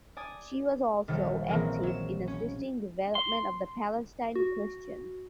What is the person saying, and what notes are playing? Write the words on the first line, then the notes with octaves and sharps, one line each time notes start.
She was also active in assisting development of the Palestine question.
D5 G#5 D#6
A#1 D#3 F#3 G3
A#2 E3 F#3 G#3 A#3 C4
F#3 E7
C#4
C6
F#4